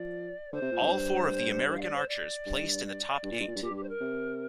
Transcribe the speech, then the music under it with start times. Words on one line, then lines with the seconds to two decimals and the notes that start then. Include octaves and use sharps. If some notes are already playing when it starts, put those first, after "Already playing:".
All four of the American archers placed in the top eight.
Already playing: F3 D5
0.52 D3 C5
0.62 C3
0.72 A#2
0.81 G2
0.87 F2
0.92 G2
1.68 C5
1.76 F5
1.81 D5
1.95 C5
2.08 D5
2.46 G2
2.85 D5
3.23 G2
3.31 A#2
3.40 G2
3.48 A#2
3.55 G2
3.62 A#2 G4
3.70 G2
3.76 G4
3.83 C5
3.88 A#4
4.01 C3